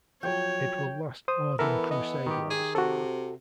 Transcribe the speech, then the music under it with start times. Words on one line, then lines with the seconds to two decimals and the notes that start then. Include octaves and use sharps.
It will last more than crusade wars.
0.23 F3 F#3 C#5 G5
1.28 C5 D#6
1.59 E3 B3 A4 A#4 E5
1.91 B3 D#5
2.27 D#3 G4
2.50 G#4
2.75 C3 F#4 A4